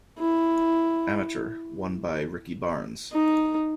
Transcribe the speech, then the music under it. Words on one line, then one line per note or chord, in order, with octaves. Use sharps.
Amateur won by Ricky Barnes.
E4
D#4